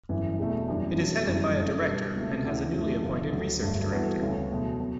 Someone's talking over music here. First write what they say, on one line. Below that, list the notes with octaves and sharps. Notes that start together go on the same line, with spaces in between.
It is headed by a Director, and has a newly appointed Research Director.
G1 F#2 E3
E1 E2 B2 A3
F#1 F#2 E3 G3 D4
E2 B2 F#3
F#1 F#2 E3 G3 D4
F#2 D3 A3
B2 G3 B3 D4
C#2 B2 A3
D2 C#3 E3
F#2 E3 A3
F#2 C#3 E3
D2 D3 F#3
G1 G2 F#3 A3 D4
G2 E3 B3 F#4 A4
D2 C#3 G3 C#4
E2 B2 F#3 A3
B2 F#3